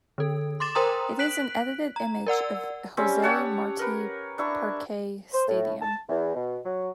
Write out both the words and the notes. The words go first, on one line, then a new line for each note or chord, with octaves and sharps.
It is an edited image of Jose Marti Parque Stadium.
D3 A4
C6 D6 A6 E7
A#4 C5 G5 A#5 C6 D#6
F#6 B6 D7 F#7
A#5
A#4 D5 F#5 E6
G3 C4 C#4
G4 C#5 F#5 A5
A#4 B4
D4 E4 C#6
C5
A2
A5
E2
B2
F#3